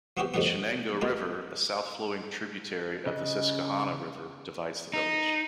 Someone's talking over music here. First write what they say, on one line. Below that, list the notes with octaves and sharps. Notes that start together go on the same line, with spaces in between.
The Chenango River, a south-flowing tributary of the Susquehanna River, divides the village.
F3 B3 C4 E4 F#4 G4
F2 A2 C3 D#3 F3 B3
B2 G#3 A#3
C#3 D#5 F#6
D#4